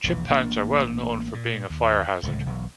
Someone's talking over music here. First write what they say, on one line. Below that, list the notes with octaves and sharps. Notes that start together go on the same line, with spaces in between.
Chip pans are well known for being a fire hazard.
E1 A#1 E3
A1 A#3 D4
A#2
D#2
D1 C#2 A2
E1 B1